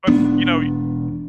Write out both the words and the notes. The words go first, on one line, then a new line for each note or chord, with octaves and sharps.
but f you know, y
E1 B3 D4